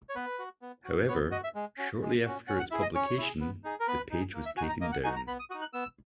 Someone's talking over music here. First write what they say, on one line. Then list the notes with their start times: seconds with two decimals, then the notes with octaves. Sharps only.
However, shortly after its publication, the page was taken down.
0.09 C#5
0.15 B3 B4
0.39 F#4
0.62 B3
0.85 F#4
1.08 B3 C#5
1.31 F#4 D#5
1.44 E5
1.55 G#3
1.78 C#4 F#4
2.02 G#3
2.25 C#4 F#4
2.48 C#4 F#5
2.59 F#5
2.71 E4 G#4 E5
2.82 D#5
2.95 C#4 C#5
3.18 E4 G#4
3.40 B3
3.64 D#4 G#4
3.80 A#4
3.88 B3 B4
4.11 D#4 G#4
4.34 A#3
4.45 E5
4.57 F#4 G#5
4.61 D#4
4.69 A#5
4.81 A#3 D#5
4.92 F#5
5.04 D#4 F#4 G#5
5.16 A#5
5.27 B3 B5
5.39 D#6
5.50 F#4 D#6
5.54 D#4
5.62 F#6
5.73 B3 E6